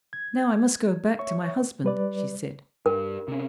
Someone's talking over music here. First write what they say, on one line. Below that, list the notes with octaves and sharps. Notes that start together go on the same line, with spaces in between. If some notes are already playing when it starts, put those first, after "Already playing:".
"Now I must go back to my husband," she said.
G#6
C#5 E5 C#6
G3 B4 D5
G2 A#4
C3 C#4